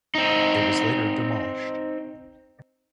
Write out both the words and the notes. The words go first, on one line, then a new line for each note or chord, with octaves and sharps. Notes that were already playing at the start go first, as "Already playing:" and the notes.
It was later demolished.
C4 D#4